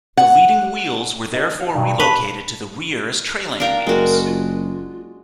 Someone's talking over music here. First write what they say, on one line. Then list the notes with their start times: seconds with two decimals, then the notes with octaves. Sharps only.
The leading wheels were therefore relocated to the rear as trailing wheels.
0.17 F#5
1.33 D#4 A#4 D#5
1.60 F#4 C#5 F5
1.75 G2 B2 D#3 F#3
2.00 G#4 B4 F5 A5
3.60 D4 A#4 F5 G5
3.87 F#1 G#3 F#4 A#4
4.26 F4